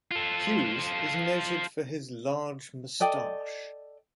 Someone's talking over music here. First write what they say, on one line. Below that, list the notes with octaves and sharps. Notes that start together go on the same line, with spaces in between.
Hughes is noted for his large moustache.
F4 A4
A4 D5 D#5 G5